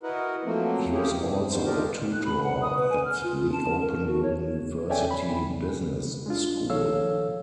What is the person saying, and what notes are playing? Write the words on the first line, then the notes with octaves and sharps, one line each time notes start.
He was also a tutor at the Open University Business School.
E4 F#4 A#4 B4 D#5 F#5
F3 F#3 A3 A#3 C4
A#3 C#4 E4 G4 G#4
G2 C3
E2 G2 D#3 B3 C5
D4 D#4 F4 G4 A#4
F#6
B5
F#5
D#6
B4
G#5
F6
F4
A5
A#4
F#4
C#5
A4 C#5 D5 E5 G5 G#5
B5
E2
G#3 D4 F4
D#3 F3 A4 C#5 F5 E6